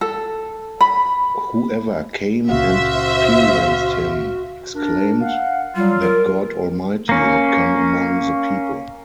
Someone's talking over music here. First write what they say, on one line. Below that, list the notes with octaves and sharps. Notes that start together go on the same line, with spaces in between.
Whoever came and experienced him exclaimed that God Almighty had come among the people.
A4
B5
C#2 A#2 C#3 F#4 C5 E5 F5
D4 A#4
F5 F#5
F#3 G3 F4
A#4
A#3 C#4